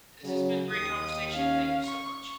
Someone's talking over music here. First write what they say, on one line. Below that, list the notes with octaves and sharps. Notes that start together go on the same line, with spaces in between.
This has been a great conversation. Thank you so much.
C#3 F#3
D#2 D#6
C#4 F5
C#6